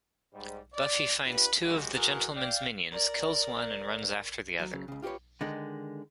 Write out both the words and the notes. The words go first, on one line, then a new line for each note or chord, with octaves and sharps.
Buffy finds two of The Gentlemen's minions, kills one and runs after the other.
G#2 G3
D5
D4 F4 G4 B4
C#3 F#3 G#3 A#3 F#4 G4
E3 F#4 G#4 A#4
D5 F5 G5
A#4 D5
F#3
C#3 F#3
C#2 C#3
F4 G4 G#4 B4 C#5
D3 D#3 G#3